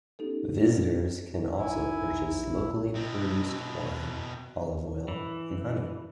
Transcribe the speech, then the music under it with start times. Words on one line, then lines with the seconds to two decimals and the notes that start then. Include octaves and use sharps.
Visitors can also purchase locally produced wine, olive oil and honey.
0.19 B3 C#4 D#4 G4 A4
1.58 A#1 D#4 E4 G#5
2.95 B2 C4
5.08 E3